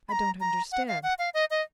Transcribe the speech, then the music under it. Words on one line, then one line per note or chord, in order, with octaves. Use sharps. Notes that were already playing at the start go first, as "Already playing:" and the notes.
"I don't understand."
B5
A#5
A#5
F#5
F5
F#5
F5
D#5
D#5